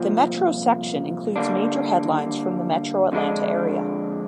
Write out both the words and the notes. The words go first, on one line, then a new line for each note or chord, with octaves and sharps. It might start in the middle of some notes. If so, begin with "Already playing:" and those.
The Metro section includes major headlines from the Metro-Atlanta area.
Already playing: C2 A#2 F3
D3 G3 A#3 D4
F2 D3 G#3 D4